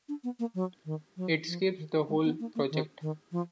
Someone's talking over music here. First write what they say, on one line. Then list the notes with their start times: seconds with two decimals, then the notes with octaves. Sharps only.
It skips the whole project.
0.09 D4
0.24 B3
0.39 A#3
0.55 F#3
0.85 D#3
1.17 F#3
1.47 F3
1.78 D#3
2.09 G#3
2.25 B3
2.40 A#3
2.55 A#3
2.71 D#3
3.01 D#3
3.32 F3